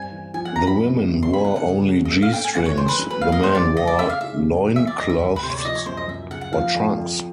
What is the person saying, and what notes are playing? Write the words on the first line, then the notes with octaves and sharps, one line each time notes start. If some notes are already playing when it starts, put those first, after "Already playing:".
The women wore only G-strings; the men wore loincloths or trunks.
Already playing: G2 C4 G#5
E3
F3 G#5
F#5
F#2 A#5
B5
F#2
C#3
B3 C6
B5
E4 F#5
F#5
C#3
F#3
D#5
A3 E5
F5
A2 G5
G#5
A2 F#5
C#5
E3 C5
B4
F#3
B4
A#3 F5
D#5
F#2 C5
D5
C#3
D#5
A3 D5
E5
C#3 F5
E5
C#3
F#3
E3 E5
D5
D2 D#5
E5
D2
B4
C3 C5
C#5
D5
F3 D#5
C#5
F#2 C5
D#5
F#2 E5
C#3 F#5
F#5
F3 F5
F2
F2